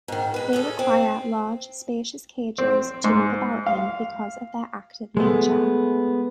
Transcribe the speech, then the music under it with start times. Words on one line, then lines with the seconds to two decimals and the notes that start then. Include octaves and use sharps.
They require large, spacious cages to move about in because of their active nature.
0.08 G#2 D#3
0.34 G#3 B4
0.53 C#4 G#4 A4
0.79 C4
2.58 C4
3.04 G#2
3.66 F5
5.17 G#3 A3 B3